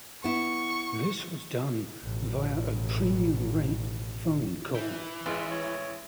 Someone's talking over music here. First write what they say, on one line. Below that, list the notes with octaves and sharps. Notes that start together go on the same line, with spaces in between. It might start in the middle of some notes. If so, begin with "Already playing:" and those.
This was done via a premium rate phone call.
B3 E4 C#6
A1 B2
E3 G5
A1 G#3 F4 B4
C#5